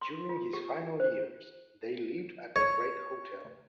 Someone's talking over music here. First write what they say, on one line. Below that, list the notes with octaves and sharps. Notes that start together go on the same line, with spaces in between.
During his final years, they lived at the Drake Hotel.
C6
F4
G4
C5
C#5